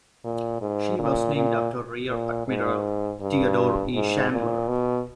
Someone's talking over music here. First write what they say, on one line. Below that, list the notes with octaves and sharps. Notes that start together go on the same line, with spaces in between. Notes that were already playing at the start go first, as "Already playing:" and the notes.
She was named after Rear Admiral Theodore E. Chandler.
A#2
G#2
A#2
A#2
A#2
G#2
G2
G#2
A#2
B2